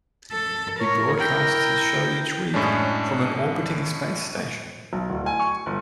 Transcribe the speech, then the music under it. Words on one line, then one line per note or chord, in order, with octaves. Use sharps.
He broadcasts his show each week from an orbiting space station.
A4
A#4 C#5
E4 G5
F#2 A2 G#3 C#4 D4
B1
D1
G#5
C#6
G1